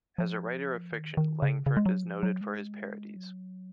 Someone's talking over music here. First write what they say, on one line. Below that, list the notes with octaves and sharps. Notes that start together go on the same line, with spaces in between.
As a writer of fiction, Langford is noted for his parodies.
F3
D#3
D#3
C#3
C#3
G#3
F#3
F3
F#3
G#3
F#3